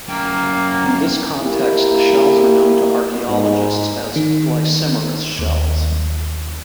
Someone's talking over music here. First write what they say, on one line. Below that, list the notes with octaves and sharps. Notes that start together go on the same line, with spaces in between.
In this context the shells are known to archeologists as "Glycymeris shells".
F#2 A#3 G5
A#3 E4 G4
G#2
D#3
D#2